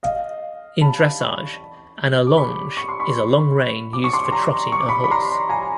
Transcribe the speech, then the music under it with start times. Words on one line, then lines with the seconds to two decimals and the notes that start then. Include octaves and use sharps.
In dressage an allonge is a long rein used for trotting a horse.
0.03 D#5 F5
0.81 A5 B5
1.20 B5 C#6
2.27 D6
2.37 B5 C#6
2.77 C#6
2.89 C6
3.00 B5 C#6
3.93 D6
4.04 C#6
4.13 C6 D6
4.32 A#5 C6
4.72 C#6
4.80 D6
4.88 B5 C#6
5.04 B5
5.11 A#5 C6
5.49 G#5 A#5